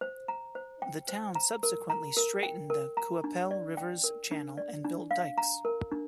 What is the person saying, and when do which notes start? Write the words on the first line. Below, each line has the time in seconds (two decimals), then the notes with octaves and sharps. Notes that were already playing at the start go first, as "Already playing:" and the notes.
The town subsequently straightened the Qu'Appelle River’s channel and built dikes.
0.01 C5
0.28 A#5
0.55 C5
0.82 G5
1.09 C5
1.35 A#5
1.63 A#4
1.90 A#5
2.17 A#4
2.43 G5
2.70 A#4
2.97 A#5
3.24 D4
3.51 D5
3.77 G5
4.04 A#4
4.31 D4
4.57 D5
4.84 D4
5.11 F5
5.38 A#5
5.65 A#4
5.92 D4